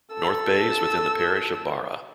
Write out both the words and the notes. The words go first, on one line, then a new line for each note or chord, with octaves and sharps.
Northbay is within the parish of Barra.
A4 E6